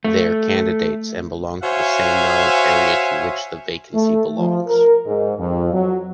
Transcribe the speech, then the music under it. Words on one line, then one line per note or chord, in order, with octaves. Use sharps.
They’re candidates and belong to the same knowledge area to which the vacancy belongs.
A3
F#4 C5 C#5 E5 F5 G#5
A3
F3
A#4
G#2
F2
F#3